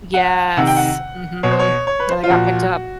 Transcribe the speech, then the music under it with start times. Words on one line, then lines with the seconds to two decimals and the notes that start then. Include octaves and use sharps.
Yes, mhm, and they got picked up.
0.14 F#5
0.57 C3 D#3 F#5
0.67 G5
0.76 F#5
1.43 B2 C#5
1.51 C5
1.59 C#5
1.87 C#5
1.99 B4
2.09 C5
2.24 F4
2.30 A#2 F3 F#4